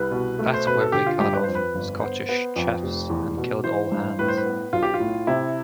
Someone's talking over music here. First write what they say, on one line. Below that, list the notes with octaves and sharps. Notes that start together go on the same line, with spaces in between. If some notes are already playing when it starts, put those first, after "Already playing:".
That's where they cut off the Scottish Chiefs and killed all hands.
Already playing: C2 B4
B2
A3
C5
B2 B4
A4
D3 G4
F4
G2 G4
B4
F2 C5
B4
G1
B3 C5
B3
F2
F1
E2
B2
E3 C5
G2
A2 B4
C5
B4
B3
B1 F4
G4
F4
A2
C3 E4